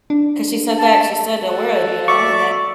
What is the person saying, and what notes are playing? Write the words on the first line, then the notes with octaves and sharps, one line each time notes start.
'Cause she said that she said the word, you know, and that
D4
A5
F#4 A4
D5 E5 C#6 D6